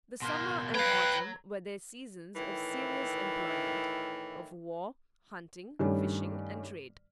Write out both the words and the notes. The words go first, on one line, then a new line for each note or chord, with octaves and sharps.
The summer and autumn were their seasons of serious employment,--of war, hunting, fishing, and trade.
B2 A#3 C6
B4 C#5 F5 G5 A#5 F#6
A2 D#3 E3
G2 D#3 G3 A3 C#4